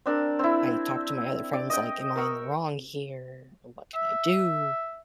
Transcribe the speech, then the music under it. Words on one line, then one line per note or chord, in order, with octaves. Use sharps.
I talked to my other friends like, "Am I in the wrong here? What can I do?"
C4 D4 A#4
C4 E4
D5
D#5 G5
A#4 C#6 E6
E5